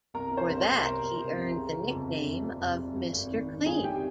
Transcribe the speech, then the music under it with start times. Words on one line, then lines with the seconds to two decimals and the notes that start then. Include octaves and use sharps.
For that he earned the nickname of Mr. Clean.
0.14 C2 A#4 A#5
0.31 C3
0.37 C5 C6
0.50 C2
0.61 C5 C6
0.66 C2
0.85 C3 A#4 A#5
1.02 C2
1.19 C3
1.37 C2
1.55 C#3
1.72 C#3
1.90 F2
2.08 C#3
2.26 F1
2.43 F2
2.61 F1
2.78 F1
2.95 G#1
3.13 G#1
3.31 D#3
3.49 D#3
3.66 G2 G#4 G#5
3.84 D#3 G4 G5